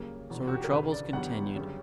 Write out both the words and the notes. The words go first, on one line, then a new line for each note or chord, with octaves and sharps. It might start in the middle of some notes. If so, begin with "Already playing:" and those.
So her troubles continued.
Already playing: F#2 C#3 G3 A#3
E1 E2 B2
F#4
G4
A#4
E1 D2 C#3 B4
D5
G1 F#2 E3 G3 B3 F#5
G1 F#2 C#3 G3